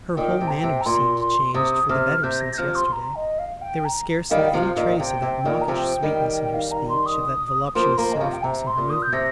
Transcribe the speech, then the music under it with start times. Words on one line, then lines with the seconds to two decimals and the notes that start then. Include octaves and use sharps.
Her whole manner seemed changed for the better since yesterday, there was scarcely any trace of that mawkish sweetness in her speech, of that voluptuous softness in her movements.
0.17 A#2 D#3 G5
0.41 C3
0.48 A#5
0.51 G5
0.64 C3
0.81 A#5
0.86 A#2 C6
1.20 C6
1.54 C3 D#6
1.89 C3 F6
2.23 C3 G6
2.41 A#6
2.54 G6
2.58 C3 F3 F6
2.75 C6
2.92 A#5
3.15 D#5
3.39 F5
3.61 G5
3.85 A#5
4.30 D#3 G3 F5
4.39 G5
4.47 F5
4.53 C3 F3
4.65 F5
4.76 A#2 D#3
4.99 C3 G5
5.22 C3
5.45 A#2 D#3
5.61 A#5
5.68 C3 F3 G5
6.02 D#3 G3
6.37 G5
6.54 F5
6.71 A#5
6.89 C6
7.06 D#6
7.75 F3 A#3 C6
7.98 F3 A#3 A#5
8.12 D#3 D#5
8.20 C3 F3 F5
8.33 G5
8.43 C3 A#5
8.67 C6
8.78 A#2
8.90 D#6
9.02 G6
9.13 C3 A#6